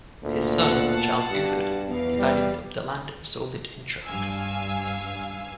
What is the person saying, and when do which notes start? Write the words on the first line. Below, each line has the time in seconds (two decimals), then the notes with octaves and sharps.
His son, Charles Buford, divided up the land and sold it in tracts.
0.23 D2 A#2
0.60 B2 F#5 A5
1.31 G2 G4
1.88 E2 B3 F5
2.18 G3
4.05 G2 F5 G#5 E6